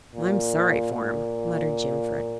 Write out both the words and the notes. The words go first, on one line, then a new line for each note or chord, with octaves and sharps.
"I'm sorry for him," muttered Jimfred.
A#2
A#2